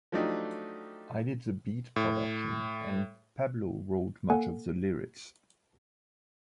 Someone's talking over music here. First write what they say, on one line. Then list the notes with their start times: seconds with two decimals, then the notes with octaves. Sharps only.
I did the beat production and Pablo wrote much of the lyrics.
0.12 F3 F#3 A3 D4 D#4 G4
1.96 A2
4.30 A#3 A4 F#5 G#5